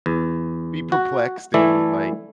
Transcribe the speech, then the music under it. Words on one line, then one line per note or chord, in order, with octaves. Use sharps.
be perplexed and, like,
E2
F#4
E3 A3 E4 A4 D5